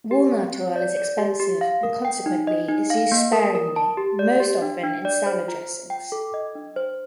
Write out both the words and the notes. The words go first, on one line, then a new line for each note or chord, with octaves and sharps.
Walnut oil is expensive and consequently is used sparingly; most often in salad dressings.
G4
C4
C4
D5
D5
G4
G4
F5
A#4
G5
D#4
D#5
D#4
F5
A#3
A#4
A#4
A5
G4
D5
G4
D4
D4
D5
C5
F4
F4
G5
A4
D#5
D4
C5